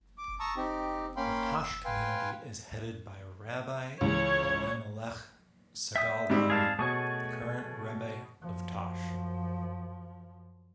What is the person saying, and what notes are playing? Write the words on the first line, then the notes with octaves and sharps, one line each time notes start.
The Tosh community is headed by Rabbi Elimelech Segal-Lowy, the current Rebbe of Tosh.
D6
A5 A#5 C#6 D#6 E6
C4 D#4 G4
A#3 C#4 F5 G5 B5 C6
E6
B4 F5 G5 G#5 C6
C#2 E3 C#5
E5 G5 D#6
G#2 G3 C4
G#4 F5 A5
B2 A3 G#4 C#5
F#2 F3